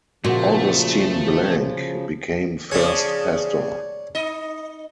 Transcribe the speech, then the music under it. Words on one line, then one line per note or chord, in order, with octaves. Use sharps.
Augustin Blanc became first pastor.
A#2 C#3 F3 A3 F#4 F#5
C#3 F3 G#4 C#5 D5
D#4 D#5